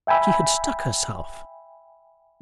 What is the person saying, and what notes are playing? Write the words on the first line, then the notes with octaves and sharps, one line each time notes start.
She had stuck herself.
E5 G5 G#5 B5 E6